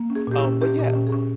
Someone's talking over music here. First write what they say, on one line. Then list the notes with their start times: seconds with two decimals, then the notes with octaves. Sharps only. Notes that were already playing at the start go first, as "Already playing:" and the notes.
Um, but, yeah,
Already playing: A#3
0.10 C#4
0.15 G#4
0.27 A#2 G4
0.38 E4
0.44 C#4
0.61 C#4 G4
0.79 A#2
0.84 G4
0.95 C#4
1.07 G#4
1.12 C#4